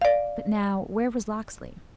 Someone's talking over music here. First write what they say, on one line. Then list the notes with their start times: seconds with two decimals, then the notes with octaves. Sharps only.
"But now, where was Locksley?"
0.02 D5 F5